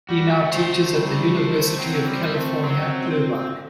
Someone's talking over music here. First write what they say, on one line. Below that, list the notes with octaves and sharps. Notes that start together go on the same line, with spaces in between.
He now teaches at the University of California, Irvine.
G3 F#4
A3
A3 C5
A3
G3
C5
F#3 C4
G3
C4
A3
F#3 C4